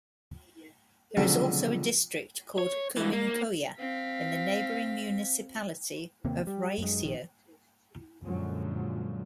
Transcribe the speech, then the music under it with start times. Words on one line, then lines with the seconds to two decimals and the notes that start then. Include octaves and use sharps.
There is also a district called Kuninkoja in the neighbouring municipality of Raisio.
1.17 C#2 B2 D3 F3 F#3 C4
2.58 C#5
2.97 G2 E3
3.13 A#3
3.78 C4 F5 B6
6.25 D#2 C3 A#3 C4
6.47 G3
6.78 F#2 G#3
7.04 A#1 D#3
8.24 F#2 A#2 D3 F3 F#3 G#3